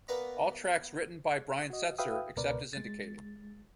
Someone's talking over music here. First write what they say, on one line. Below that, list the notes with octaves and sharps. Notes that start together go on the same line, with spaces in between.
All tracks written by Brian Setzer except as indicated.
A#3 B3 B4 D5 A#5
F#4 D#5
F#4 B4 E5 F5 G5 D#6
C#2 B2 A#4 B4 D5
G#3 A6